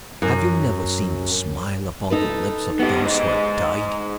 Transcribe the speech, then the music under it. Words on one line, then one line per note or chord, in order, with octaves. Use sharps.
Have you never seen the smile upon the lips of those who have died?
F#2
D#4 A4 B4
B3 G4 B4 D#5
G#2 D#4